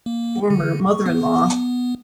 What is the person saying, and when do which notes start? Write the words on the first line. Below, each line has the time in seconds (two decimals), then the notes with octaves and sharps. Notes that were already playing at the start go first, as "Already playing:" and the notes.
former mother-in-law
0.06 A#3
0.50 D3
0.91 C#6
1.06 B3